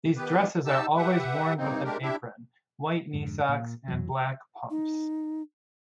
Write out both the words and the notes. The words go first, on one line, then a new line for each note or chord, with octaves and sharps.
These dresses are always worn with an apron, white knee socks and black pumps.
D#3 B3 G4 B4
D#4 G4 A5 E6
G4 B4 E5 F#5
G2 C3 A#3 C4 D#4
G#3 A3 D4 G4 A#4
D4 E4 G4 E5
F2 G#2 D3
A#2
F2 E3 F#3
D#4